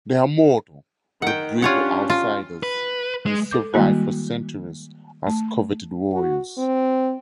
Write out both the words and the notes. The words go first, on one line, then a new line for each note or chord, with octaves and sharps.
They are mortal, but breed with outsiders and survive for centuries as coveted warriors.
D#3 F#5 G5
C#4 D4 F4 G4 C#5 F#5
F4
B4
G#3
A4 D6 G6
D#3 G3 G#3 A#3 E4 F#4
A3
F#4
C4